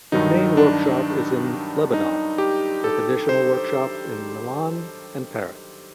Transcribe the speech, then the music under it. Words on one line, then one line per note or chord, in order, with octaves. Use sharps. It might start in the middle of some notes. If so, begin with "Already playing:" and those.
His main workshop is in Lebanon, with additional workshops in Milan and Paris.
G2 D#3 F#3 D#4
D4
D#4
G4
A4
C5